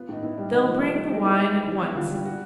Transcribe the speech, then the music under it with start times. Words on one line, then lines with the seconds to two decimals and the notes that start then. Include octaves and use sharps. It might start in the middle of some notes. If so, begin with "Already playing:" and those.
They'll bring the wine at once....
Already playing: B3 F4
0.09 A2 D#4
0.23 B3 E4
0.38 G3
0.51 C3 D#4
0.67 F3
0.81 A3
0.96 A3
1.10 G3 D#4
1.24 B3 E4
1.39 G3
1.52 G3
1.67 G3 E4
1.82 B3 F#4
1.96 D3 F4
2.11 G3
2.25 F#4